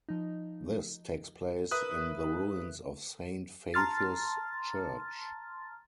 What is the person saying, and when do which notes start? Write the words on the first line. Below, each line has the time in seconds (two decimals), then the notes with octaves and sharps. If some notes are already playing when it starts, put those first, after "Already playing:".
This takes place in the ruins of Saint Faith's Church.
0.09 F3 D#4
1.71 A#4 B4 E5 D#6 F#6
3.74 A5 A#5 C6 F6 A6